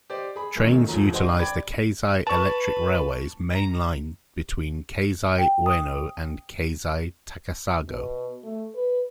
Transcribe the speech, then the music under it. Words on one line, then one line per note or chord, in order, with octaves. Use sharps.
Trains utilize the Keisei Electric Railway's Main Line between Keisei Ueno and Keisei-Takasago.
G4 C5 D5 D#5
G#4 B5
A#1 F#2 D#3 A3 D#4 C#5
E1 A#1 F3 F#3 A#5
D4 G#4 C5 D#5 F#5 C6
D5 G5 B5 G#6
B4 A5 C#6
A#5
G5
D#6
B2
A3
B4